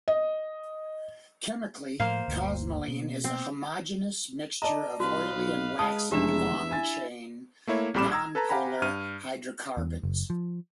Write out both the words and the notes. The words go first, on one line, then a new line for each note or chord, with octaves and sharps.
Chemically, cosmoline is a homogeneous mixture of oily and waxy long-chain, non-polar hydrocarbons.
D#5
A2 F3 A3 A#3 C5 F5
G1 D2
B2
C4
D5 D#5 A5 A#5
C2 F#4 B4 F5
B1
G#3 D#5 A5 D#6
F1 E2 G#3 D4 G4 E5 E7
E4 G#5 A6
A3 A#3 E4 C#5
A#1 A2 G3 B5 D6 E7
A#5 E6 G#6
A4 B4 A5 A#5
G4 F5 F#5 G#5 A#5 B5
G2 F6 D#7
E2
F#1
F3